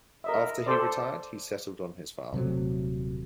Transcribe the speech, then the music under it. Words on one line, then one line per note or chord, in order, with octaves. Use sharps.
After he retired, he settled on his farm.
A#4 D#5 E5
A4 C5 D5
D#1 C3 F#3 A3